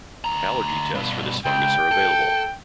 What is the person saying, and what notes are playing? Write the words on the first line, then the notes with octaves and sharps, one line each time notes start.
Allergy tests for this fungus are available.
D2 A#5
G2 B2
C#2 G5
A4